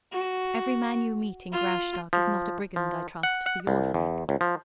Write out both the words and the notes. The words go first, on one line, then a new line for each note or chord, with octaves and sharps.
Every man you meet in Graustark is not a brigand, I trust, for your sake.
F#4
F4
F3
F3
F#5
F#5
C2
E2
C#2
F3